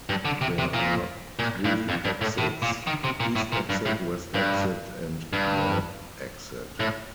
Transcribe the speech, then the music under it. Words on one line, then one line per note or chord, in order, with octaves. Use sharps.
There are three exits: East exit, West exit, and North exit.
G2
D3
C3
C3
A#2
A#2
G2
F2
G2
A2
A2
A#2
D#3
C3
A#2
A2
A#2
G2
A2
G2
G2
A2